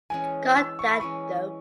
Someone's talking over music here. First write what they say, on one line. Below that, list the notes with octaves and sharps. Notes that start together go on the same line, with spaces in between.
Got That Dope.
E3 G#3 C#4 G#5
E6
C#6
B5
E3 G#3 C#4 C#6